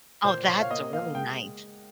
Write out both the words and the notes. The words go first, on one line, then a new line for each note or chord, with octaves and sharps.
Oh, that's really nice.
A#2 C5
A#2 C#5
F5
A#3 D#5
A#3 F5
G#3 G5